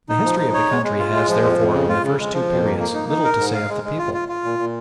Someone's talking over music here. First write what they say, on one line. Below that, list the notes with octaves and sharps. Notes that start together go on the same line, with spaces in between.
The history of the country has, therefore, in the first two periods little to say of the people.
D#4
F3
D#4
C#5
G#3
G#3
F4
G#3
F3
F2
F2
C#3
F4
C#3
G#3
F3
F2
A#3
A#3
D#4
D#4
A#4
G#2
F5
G#3
G#3
F4
F4
F4
A#2
A#2